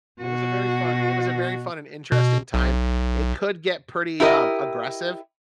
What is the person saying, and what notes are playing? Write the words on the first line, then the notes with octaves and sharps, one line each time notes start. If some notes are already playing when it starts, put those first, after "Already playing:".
Yes, it was a very fun it was a very fun and interesting time. It could get pretty, um, aggressive,
B2 F#4
B2
B1
E4 G4 A#4 D#5